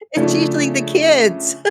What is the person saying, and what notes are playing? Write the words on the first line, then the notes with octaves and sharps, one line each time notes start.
It's usually the kids.
C#3 F3 A3 D4